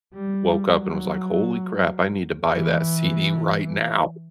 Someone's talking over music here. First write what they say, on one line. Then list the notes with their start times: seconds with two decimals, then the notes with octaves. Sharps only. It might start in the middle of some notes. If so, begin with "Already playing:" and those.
woke up and was, like, "Holy crap, I need to buy that CD right now.
0.14 G3
0.73 F#3
2.49 E3